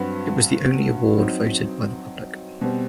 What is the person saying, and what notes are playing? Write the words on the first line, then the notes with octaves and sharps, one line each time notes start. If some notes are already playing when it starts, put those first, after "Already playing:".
It was the only award voted by the public.
Already playing: G2 F#3 C4 F#4 B4
F#3 C4 D#4
B2 G3 C4